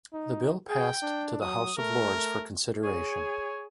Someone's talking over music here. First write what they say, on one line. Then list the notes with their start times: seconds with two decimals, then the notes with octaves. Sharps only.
The bill passed to the House of Lords for consideration.
0.14 D#4
0.70 G#4 G5
1.02 D4
1.41 F#3 D#6
1.77 A3 A#4
2.83 G#4 C#5